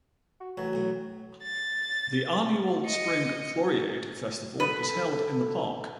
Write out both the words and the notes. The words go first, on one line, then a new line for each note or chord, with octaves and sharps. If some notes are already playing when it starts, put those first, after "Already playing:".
The annual spring Floriade festival is held in the park.
F#4
A1 E3 F#3
B1 A2
A6
D#5 C#7
A4 B4